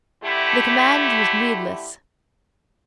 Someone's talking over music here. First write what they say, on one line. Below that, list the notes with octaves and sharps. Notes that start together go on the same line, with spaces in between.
The command was needless.
D3 A3 E4 G4